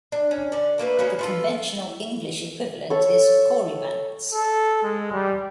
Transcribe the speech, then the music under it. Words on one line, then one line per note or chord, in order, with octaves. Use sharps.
The conventional English equivalent is "Corybants".
D4
C#4
D3 D5
A3 A#3 A4 B4
A#3 B3 C#4 F#4
B3 F4 A4
A4 C#5
A4
G#3
G3